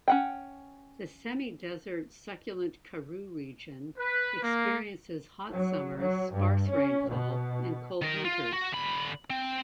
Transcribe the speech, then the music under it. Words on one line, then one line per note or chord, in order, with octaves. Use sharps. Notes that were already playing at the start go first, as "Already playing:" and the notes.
The semi-desert Succulent Karoo region experiences hot summers, sparse rainfall and cold winters.
C#4 F#5 G5
B4
A#3
F#3
F#3
G2
C#4
B2
D#3 A#4
F4
F#4
D3 B5
C4